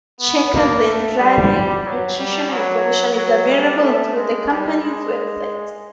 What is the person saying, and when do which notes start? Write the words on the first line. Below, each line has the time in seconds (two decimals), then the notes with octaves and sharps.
Checkers and Rally's nutritional information is available through the company website.
0.20 B3
0.54 A#3
0.86 A3
1.19 G3
1.85 F#3
2.17 G3
2.51 F#3
3.16 F#3
3.50 G3
3.82 A3
4.15 G#3
4.48 G3
4.80 G#3